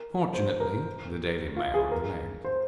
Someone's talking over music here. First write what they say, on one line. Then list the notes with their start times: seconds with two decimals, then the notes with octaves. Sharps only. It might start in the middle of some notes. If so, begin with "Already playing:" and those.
Fortunately "The Daily Mail" remained.
Already playing: A#4
0.34 C5
0.60 A#4
1.57 F4
1.74 G#4
1.91 A#4
2.45 C5